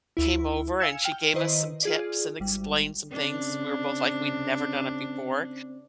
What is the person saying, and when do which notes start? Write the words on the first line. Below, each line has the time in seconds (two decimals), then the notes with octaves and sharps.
came over, and she gave us some tips, and explained some things, 'cause we were both like we'd never done it before.
0.17 D2 E4
0.80 F5 G#5 E6 G#6 C#7 E7
1.04 G5 F6
1.34 D#3 E4 B4 C5 D#5
1.83 F4 G#4 D5
2.40 G#1 G3
3.11 C#3 C4 D4